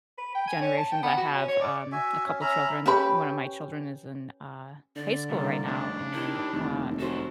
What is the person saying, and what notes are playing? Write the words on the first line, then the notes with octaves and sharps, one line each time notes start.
generations, I have, um, a couple children. One of my children is in, uh, high school right now, and, uh,
B4
G5
G#5
C#4
A5
G5
B3
F#4
C#4
C#5
D5
F#4 E5 G#5
C#4
C#4 E5 A#5 B5
C#4 G4 B4 B5
D3 D5
C2 A#3
F2 A2 D4
D#3 E4 G4
F1 D#2
F#2 F#4 A4 C5